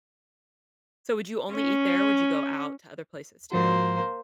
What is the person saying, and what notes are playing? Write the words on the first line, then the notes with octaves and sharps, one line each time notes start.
So, would you only eat there or would you go out to other places too?
C#4
G#2 F3 A#3 F#4 C5